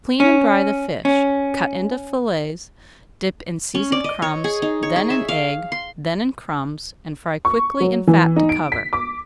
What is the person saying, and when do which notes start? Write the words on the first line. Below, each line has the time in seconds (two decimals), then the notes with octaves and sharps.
Clean and dry the fish, cut into fillets, dip in seasoned crumbs, then in egg, then in crumbs, and fry quickly in fat to cover.
0.20 C#4
1.05 C#4
3.75 C#4
3.92 D5
4.04 D#5
4.22 C#5
4.44 G#4
4.62 D#4
4.83 C#5
4.96 G#4
5.10 E5
5.28 F5
5.72 C6
7.45 C#6
7.80 F#3
8.07 E3
8.36 D#4
8.49 D7
8.72 B6
8.93 D6